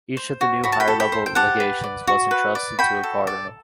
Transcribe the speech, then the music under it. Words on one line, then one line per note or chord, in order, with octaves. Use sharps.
Each of the new higher-level legations was entrusted to a cardinal.
C5
F#4
F#4 B5
A5
G5 B5
A4
G5 B5
C5
G5
G4 F#5 A5
B4
D5
F#4
B4
D5
F#4 G5 B5
A4
D5